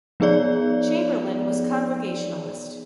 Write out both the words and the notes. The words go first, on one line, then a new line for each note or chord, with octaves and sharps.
Chamberlain was Congregationalist.
F3 B3 D#4 G#4 C#5 D5